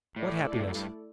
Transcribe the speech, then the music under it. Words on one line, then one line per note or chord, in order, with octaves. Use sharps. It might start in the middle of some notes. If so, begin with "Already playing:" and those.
What happiness!
A2 A3 E4 A4 D5
A2
G2
F#2
G2